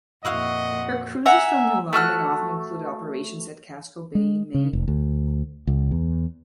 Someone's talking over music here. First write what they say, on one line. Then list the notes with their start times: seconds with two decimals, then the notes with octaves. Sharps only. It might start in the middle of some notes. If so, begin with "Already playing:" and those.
Her cruises from New London often included operations at Casco Bay, Maine.
0.25 F2 A#2 E4 F#4 D#5 F5 F#5
1.26 E5 F#5 G#5 A#5
1.93 A3 F#4 F6 F#6
4.15 G#3
4.54 C#3
4.73 F1
4.88 D2
5.67 C#2
5.91 E2